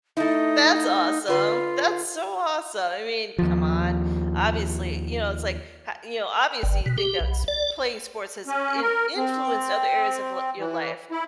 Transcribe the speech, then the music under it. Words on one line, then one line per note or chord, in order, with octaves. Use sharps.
That's awesome. That's so awesome, I mean, come on obviously you know, it's, like, h you know, obviously, you think that sp playing sports has in influenced other areas of li your life,
A3 D#4 E4
D3 F4 B4
D#2 F3
G1
B2
G4
B1
D5
C#4
A#4
C4
E3
E4